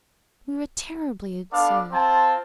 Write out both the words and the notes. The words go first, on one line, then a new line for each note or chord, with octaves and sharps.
We were terribly absurd.
B3 D4 A4 D5 F5
C4 F4 A5